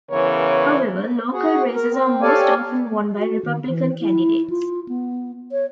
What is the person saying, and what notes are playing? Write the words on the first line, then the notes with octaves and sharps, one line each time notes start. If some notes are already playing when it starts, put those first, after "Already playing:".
However, local races are most often won by Republican candidates.
C#3 E3 B3 A#4 C#5
F#4 G#4
A#4
C4
G4 A4 C#5 D5 F5 G#5
F#4
D#3
E3
E4
F4
B3
C#5